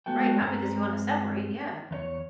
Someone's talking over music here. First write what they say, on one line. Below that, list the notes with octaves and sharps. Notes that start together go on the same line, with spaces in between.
Right, not because you wanna separate. Yeah.
G#3 B3 F#4 A4 G5
G2 G#3 C4 G#5 A#5
E2 D#4 C#5